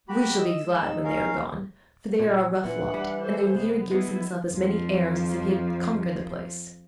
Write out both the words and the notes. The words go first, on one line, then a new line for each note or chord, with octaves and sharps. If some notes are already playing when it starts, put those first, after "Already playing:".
We shall be glad when they are gone; for they are a rough lot, and their leader gives himself as many airs as if he had conquered the place.
A#3 F#4 G4 B5
D#5 E6
G#3
D#4
C#4 A#4 F5
A#2 C#4
A#2 E3 D4 F#5
G3
A4 C5
C2 B3
G#3 B3 E4
F2 F3